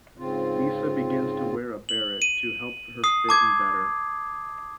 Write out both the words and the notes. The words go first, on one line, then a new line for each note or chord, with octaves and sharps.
Lisa begins to wear a beret to help her fit in better.
G#2 C#3 C4 F4
F#7
D#7
D#6 C7
A5 D6 G#6